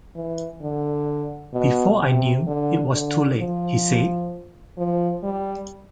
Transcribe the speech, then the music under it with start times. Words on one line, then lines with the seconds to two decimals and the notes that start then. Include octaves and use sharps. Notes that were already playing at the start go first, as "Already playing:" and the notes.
Before I knew, it was too late, he said.
0.15 E3
0.61 D3
1.54 B2
2.01 C3
2.47 D3
2.93 D3
3.39 F3
4.78 F3
5.24 G3